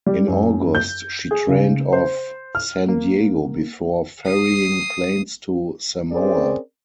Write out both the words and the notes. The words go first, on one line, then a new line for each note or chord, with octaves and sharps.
In August, she trained off San Diego before ferrying planes to Samoa.
G3
F#2
G6
G#4
C#3
C5
F6
A#3
D#6 C7
C4 C#4 G#4 A#4 C5 D5